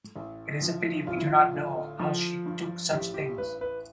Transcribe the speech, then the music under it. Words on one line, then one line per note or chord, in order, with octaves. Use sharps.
It is a pity we do not know how she took such things.
A1
F3
A1 F4
E4
F4
D3
F3
G2
A1 G4
G4
A1 B4
B4